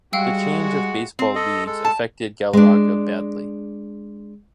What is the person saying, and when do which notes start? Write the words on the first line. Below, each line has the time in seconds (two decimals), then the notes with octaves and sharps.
The change of baseball leagues affected Galarraga badly.
0.13 G3 G#3 F#4 F5 G5 E6
1.19 C4
1.35 A4 D#5
1.66 G#3 A4
1.85 A5
2.53 G#3 D4